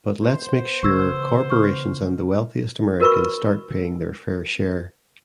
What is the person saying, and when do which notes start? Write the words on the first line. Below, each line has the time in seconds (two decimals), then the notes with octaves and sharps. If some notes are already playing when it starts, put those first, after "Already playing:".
But let’s make sure corporations and the wealthiest Americans start paying their fair share.
0.24 B3 C5
0.83 C#3 E3 C#6 E6 G#6
1.50 C#6 F6
3.00 F#4 A#4 B4 B5 C#6